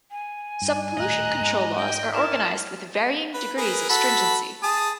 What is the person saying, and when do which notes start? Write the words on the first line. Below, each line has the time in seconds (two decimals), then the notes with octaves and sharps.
Some pollution control laws are organized with varying degrees of stringency.
0.11 G#5
0.62 G2
0.97 D#1 A2 D#5 A#5 F#6
1.41 G#2 G#3
1.77 G5
2.14 E4 A#4 A5 F6
3.34 B4
3.57 G#4 A#4 B4
3.90 F#4 A4 B5
4.63 G#4 A5 D#6